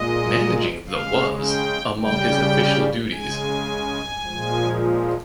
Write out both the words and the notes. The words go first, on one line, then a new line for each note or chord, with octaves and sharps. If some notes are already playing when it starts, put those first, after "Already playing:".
Managing the was among his official duties.
Already playing: A#2 G#3 D#5
C#3 G#3 F5
G5
C#3 G3 G5
C#3 G#3 G#5
A#2 F3 G#3